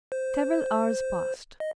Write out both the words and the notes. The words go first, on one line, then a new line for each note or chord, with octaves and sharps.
Several hours passed.
C5
D#5